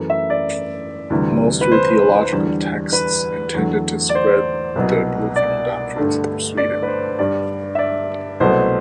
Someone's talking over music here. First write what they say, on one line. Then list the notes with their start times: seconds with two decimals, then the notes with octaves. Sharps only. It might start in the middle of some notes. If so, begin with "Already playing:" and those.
Most were theological texts intended to spread the Lutheran doctrines through Sweden.
Already playing: F#2 E3 A3
0.10 E5
0.30 D5
1.10 D2 C3 E3 G3
1.61 B4
1.72 C5
2.32 E2 D3 G3
2.92 B4
3.54 E2 D3 F#3 A3
4.09 D5
4.15 C5
4.75 C2 B2 F#3
5.36 D5
5.96 G2 D3 A3
6.57 D5
6.83 B4
6.88 C5
7.19 G2 D3 G3 D5
7.75 E5
7.79 D5
8.40 C2 B2 F#3 A3 C5